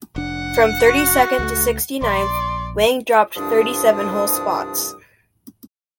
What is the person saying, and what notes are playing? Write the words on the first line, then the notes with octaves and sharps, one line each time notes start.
From thirty-second to sixty-ninth, Wang dropped thirty-seven whole spots.
F1 D4 F#5
F#4
C#2 G#3 A3
A#1 D5 C6
C2 G2 F3 D4 D#6